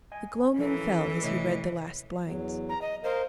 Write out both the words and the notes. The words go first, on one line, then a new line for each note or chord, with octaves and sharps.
The gloaming fell as he read the last lines.
D#5 G#5
E3 F3 C#4 A4 A#4
A2 C3 D#5
E2 F#3
A#5
D#5
A#4 C5 D#5 F5